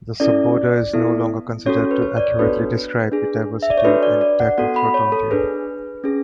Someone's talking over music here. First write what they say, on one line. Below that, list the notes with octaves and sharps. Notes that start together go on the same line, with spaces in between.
This suborder is no longer considered to accurately describe the diversity in Diprotodontia.
C#4 E4 A4 D5
B3 E4 A4
C#4 F#4 A4 C#5
B4
C#5
D5
C#5
B3 D4 F#4 A4 B4
D4 G#4
E5
D5
C#5
D4 F#4 A4 B4
D5
D5
F#5
B3 F#4 A4 F#5
B5
C#5
A4
D4 G#4 B4
C#4 G#4